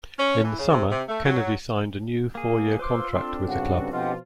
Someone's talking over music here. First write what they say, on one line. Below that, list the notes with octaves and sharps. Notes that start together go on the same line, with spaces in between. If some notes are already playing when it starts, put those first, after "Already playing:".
In the summer Kennedy signed a new four-year contract with the club.
C#4
E3
C#3
C3
C3
A3
F#3
A#3 G#4
F4 B4 C5 C6 D6 E6
C4 D4 A4
G2 C#3 F#4 F#5
B2 F3 F4 G4 D#5 F#5